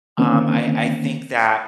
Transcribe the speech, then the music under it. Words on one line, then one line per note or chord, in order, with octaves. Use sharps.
um, I I think that
D3 D#3 A#3 C4 C#4